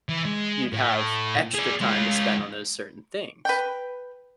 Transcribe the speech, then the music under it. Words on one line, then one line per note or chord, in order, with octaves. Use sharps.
you'd have extra time to spend on those certain things.
E3
G#3
A2
G#4 D5
G#3 F4
B4 G5